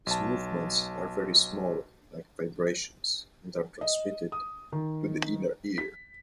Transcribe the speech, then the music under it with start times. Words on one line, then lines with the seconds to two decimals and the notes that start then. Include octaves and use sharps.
These movements are very small, like vibrations and are transmitted to the inner ear.
0.07 B1 A5
3.81 D#5
4.32 D#6
4.72 D#3
5.78 B6